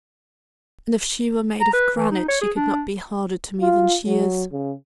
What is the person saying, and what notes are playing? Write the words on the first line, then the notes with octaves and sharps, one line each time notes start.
"And if she were made of granite, she could not be harder to me than she is!"
A#5
B4
E3
D#4
C#5
G#4
D4
F4
F#3
C#3